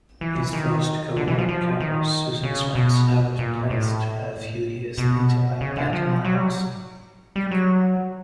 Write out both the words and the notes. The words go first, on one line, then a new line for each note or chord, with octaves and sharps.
His first co-anchor was Susan Spencer, replaced a few years later by Pat Miles.
E3
D#3
D3
E3
F3
F3
D#3
C#3
B2
A#2
A2
B2
C#3
D3
F3
F#3
G3
F#3
G3
F#3